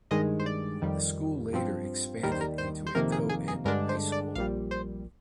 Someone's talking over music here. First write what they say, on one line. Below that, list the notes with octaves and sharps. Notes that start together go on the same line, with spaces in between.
The school later expanded into a co-ed high school.
G2 D#3 G#3 D#5
C5
D5
F2 D#3 G3
G2 F3 C4
D#2 D#3 G3 A#4
C5
A#4
C5
C5
F2 C3 D#3 A#3 A#4
G#4
G#4
G#4
G2 D3 G#3 D4 A#4
C5
D5
A#1 A#2 G3 F5
C5